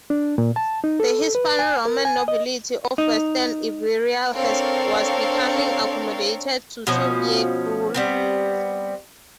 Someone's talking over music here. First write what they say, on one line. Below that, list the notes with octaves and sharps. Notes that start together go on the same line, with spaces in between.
The Hispano-Roman nobility of western Iberia was becoming accommodated to Suevic rule.
D4
A#2
A5
D#4
A4
B4
G#5
A#4
G#5
D#5
D#4
C4 D4 A4 A#4 C#5 F5
B2 F3 C#4
G3 B3 C4